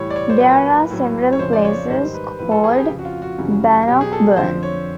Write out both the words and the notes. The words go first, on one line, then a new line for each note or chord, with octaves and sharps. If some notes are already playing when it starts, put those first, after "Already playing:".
There are several places called Bannockburn.
Already playing: A2 E3 G3 C#5
D5
C#5
C5
A#2 F#3 B4
A2 F#3
C#5
F2 C#3 F3 C5
D5
C#5
G#2 D#3 G3 C5
B4
A2 F3 B4
A4
G#4
G4
F2 C#3 F3
F#4
F4
F#4
F#2 C#3 E3 G3
B2 F#3 G4
G#4
A4
F2 D3 F3 C5
C#5